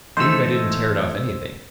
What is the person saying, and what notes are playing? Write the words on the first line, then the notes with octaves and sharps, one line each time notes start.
I believe I didn't tear it off anything.
E3 A3 D#4 C5 E6